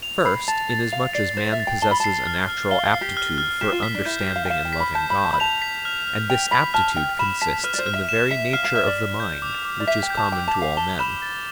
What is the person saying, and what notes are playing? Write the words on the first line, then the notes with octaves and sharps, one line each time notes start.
First, inasmuch as man possesses a natural aptitude for understanding and loving God; and this aptitude consists in the very nature of the mind, which is common to all men.
F7
B5 C7
A5 A6
A6
F5 F7
D5 C7
C5 A6
E5
A6
G5
A5 G7
B5
A5 C7
F6
F6
F5 G7
F5
C7
G4
F6
F6
G4 E7
F4
B6
D4
E4 G6
G4
G6
F5
G5
F5 E7
G5
B6
B5
A5 G6
B5
G6
A5
B5
A5 F7
B6
F6
F6
G5 F7
B5 B6
A5 F6
G5 F6
B5 E7
A5 B6
B4 F6
D5
C5
F6
E5
E7
E5 B6
F5 F6
F5
E5 F6
D5
B6
G6
D6
D6
D5
E5 B6
G5
G6
A5
G5 D6
A5
D6
F5
A5 G7
B5 E7
A6